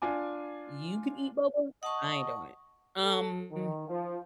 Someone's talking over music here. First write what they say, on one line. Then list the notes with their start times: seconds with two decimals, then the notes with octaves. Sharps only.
You can eat boba, I ain't doing it." Um,
0.02 D4 F4 G#5 D6
1.83 D#5 F#5 A5 C#6
2.99 A4
3.50 D#3
3.88 F3